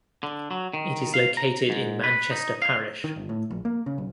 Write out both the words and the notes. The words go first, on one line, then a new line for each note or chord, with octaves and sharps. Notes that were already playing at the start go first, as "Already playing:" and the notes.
It is located in Manchester Parish.
D3
F#3
D#3
F5
A#5
G#2
B4
D#4
F5
D#3
G1
A2
A#1
A#3
C#3
B1